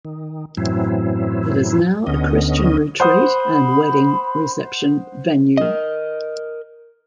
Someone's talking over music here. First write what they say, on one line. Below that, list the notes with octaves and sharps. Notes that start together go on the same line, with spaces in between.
It is now a Christian retreat and wedding reception venue.
D#3
F#2 A2 E3 F#3 C4 E4
D2 D3 B3 C#4 D#5
C5 F#5 B5 D#6
A#4 D#5